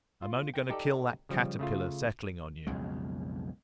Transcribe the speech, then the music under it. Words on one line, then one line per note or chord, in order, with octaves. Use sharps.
I am only going to kill that caterpillar settling on you.
F4
G5
D#4 G4 A4 D5
C#3 F3 G3
C#3 A3 F4
B1 F2 C#3 G#3